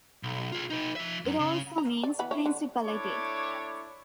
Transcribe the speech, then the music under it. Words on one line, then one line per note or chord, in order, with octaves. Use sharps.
It also means "principality".
B1
F4 G#4
D#4 B4
F3 E5
F#2
C#3
A#5
D5
E3 B3 B5
E4 C#5
D3
A3 D4 E4 C#5 D6